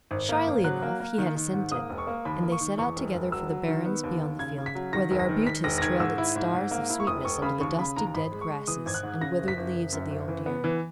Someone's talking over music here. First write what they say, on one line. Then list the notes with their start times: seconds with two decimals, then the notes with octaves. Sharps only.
Shyly enough he had assented, and they set out together for the barrens beyond the field, where the arbutus trailed its stars of sweetness under the dusty dead grasses and withered leaves of the old year.
0.11 G#1
0.29 A#3
0.47 G#1
0.64 F#3 F#6
0.82 A#3
1.00 A#3
1.18 D#3
1.36 D#3
1.54 G#2
1.71 A#3 D#6
1.90 E1
1.98 C#6
2.07 A#3
2.25 D#2 B5
2.43 A#3
2.52 C#6
2.61 D#3
2.78 E2 C#6
2.96 E1
3.14 E1
3.32 F#3 E6
3.50 F#3
3.67 D#3
3.86 B3
4.04 D#2
4.21 D#2
4.39 C#3 G#6
4.58 C#3
4.66 B6
4.75 F#3
4.93 D#3 A#6
5.11 E1
5.20 A#6
5.29 D#3
5.46 D#3 B6
5.64 E1 A#6
5.78 A#6
5.82 D#3 G#6
6.00 G#2 E6
6.18 E4
6.36 G#2
6.54 G#2
6.71 A#3
6.90 E4
7.00 C#6
7.07 E1 D#6
7.25 E1 C#6
7.42 C#3 B5
7.61 D#2 C#6
7.78 C#3 B5
7.96 D#2 A#5
8.07 A#5
8.14 G#1 B5
8.32 G#3
8.41 C#6
8.50 G#3
8.68 E3 D#6
8.86 G#1 G#6
8.94 F#6
9.03 G#2
9.21 C#3 A#6
9.39 F#1
9.48 B6
9.57 F#1
9.75 F#1
9.93 F#2
10.10 F#1
10.28 E3
10.46 B3
10.64 E3